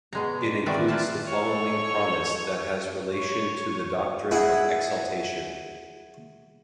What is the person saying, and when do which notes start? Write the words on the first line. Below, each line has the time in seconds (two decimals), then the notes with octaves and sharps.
It includes the following promise that has relation to the doctrine of exaltation.
0.13 B2 G#3 A#5
0.41 D5
0.66 D#3 E3 C4 F#4 D5 E5
0.88 A#3 F4 B4 D5 A5
1.27 A4 C#5
3.13 C#5
4.31 E4 G#4 F#5